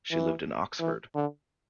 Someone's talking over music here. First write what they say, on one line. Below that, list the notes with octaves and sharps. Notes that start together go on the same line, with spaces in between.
She lived in Oxford.
E3
E3
D3